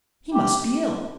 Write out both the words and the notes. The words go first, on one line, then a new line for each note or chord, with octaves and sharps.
He must be ill.
G4